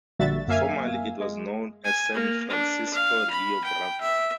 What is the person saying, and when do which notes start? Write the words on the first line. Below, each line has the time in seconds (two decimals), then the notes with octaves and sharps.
Formerly it was known as San Francisco Rio Bravo.
0.19 A#1 D3 G3 F#4 E5 A6
0.48 F#2 A#3 E5 F5 G#5
1.20 G#3
1.84 G#5
2.14 A#3
2.49 D4
2.94 F5
3.30 B5
3.64 G5
4.01 E5